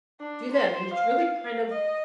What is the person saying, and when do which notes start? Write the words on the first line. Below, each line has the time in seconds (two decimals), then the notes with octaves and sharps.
do that, and it's really kind of,
0.20 D4
0.51 C5
0.93 F5
1.37 F5
1.71 D#5